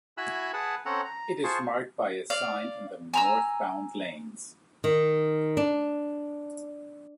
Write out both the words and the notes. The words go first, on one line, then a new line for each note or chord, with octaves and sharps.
It is marked by a sign in the northbound lanes.
E4 F#4 G#5 B5 E6 F#6
G#4 B4 F#5 A5
C4 C#4 A4 C#5 F#5 A#5
A#5
F4 G#4 C5 A5 C#6
D5 F5
G#5 A#5 E6
D#3
D4